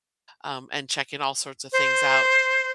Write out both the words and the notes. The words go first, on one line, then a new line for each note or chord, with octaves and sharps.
um, and checking all sorts of things out.
C5